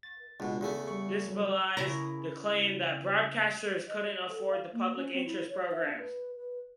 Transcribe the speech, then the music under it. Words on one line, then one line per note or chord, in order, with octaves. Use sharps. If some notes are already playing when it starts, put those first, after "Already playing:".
This belies the claim that broadcasters couldn't afford public interest programs.
A6
C#2 B2 D4 F#4
E2 C#3 A3
G3 A4 C#6
F#3 G3
C#3 E4 A#4
D#5
A4
F5
A#3
C#4
C4
E4
C#5
E5
D4
B4
B4